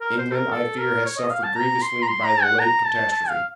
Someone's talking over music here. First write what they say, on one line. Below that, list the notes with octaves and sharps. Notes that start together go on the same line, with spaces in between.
England, I fear, has suffered grievously by the late catastrophe.
A#4
C5
A4
A#4
A4
A#4
C#5
D#5
F5
A5
A#5
C6
A#5
C6
A#5
F#5
A#5
A5
A5
F5